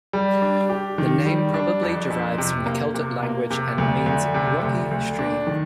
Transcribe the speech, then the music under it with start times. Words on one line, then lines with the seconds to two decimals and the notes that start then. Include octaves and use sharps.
The name probably derives from the Celtic language and means "rocky stream".
0.13 G3
0.42 D4
0.70 G4
0.98 D#3
1.26 G3
1.54 D4
1.83 F2
2.10 F2
2.38 C3
2.66 A#3
2.94 C3
3.23 A#3
3.51 C3
3.78 D2
4.06 D2
4.34 C3
4.63 D2
4.91 D2
5.19 D4
5.47 D#3